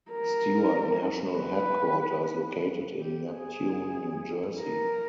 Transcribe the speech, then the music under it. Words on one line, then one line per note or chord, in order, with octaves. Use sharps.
Stewart National Headquarters, located in Neptune, New Jersey.
A#4
B4
G4
G#4
A#4